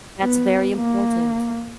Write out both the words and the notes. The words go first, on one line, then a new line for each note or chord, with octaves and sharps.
That's very important.
B3
A#3